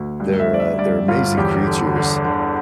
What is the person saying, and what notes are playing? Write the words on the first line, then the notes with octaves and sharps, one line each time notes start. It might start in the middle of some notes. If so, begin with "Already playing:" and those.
They're, uh, they're amazing creatures,
Already playing: D2
G2
E5
G2 D5
E5
G2 D5
G1 F4
E2 G4
D3
D3
D3